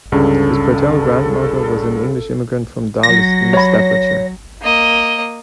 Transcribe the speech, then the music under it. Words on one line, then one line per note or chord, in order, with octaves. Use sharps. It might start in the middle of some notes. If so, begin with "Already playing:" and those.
His paternal grandmother was an English immigrant from Darlaston, Staffordshire.
C#2 G2 D3 C#4 A4
F#3 A#6
C#5 B5
A#3 D#5